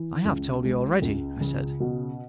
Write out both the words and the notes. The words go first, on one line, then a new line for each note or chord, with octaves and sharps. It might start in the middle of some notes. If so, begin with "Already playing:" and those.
"I have told you already," I said.
Already playing: E3
C#2
G#3
C#2
C#3
B2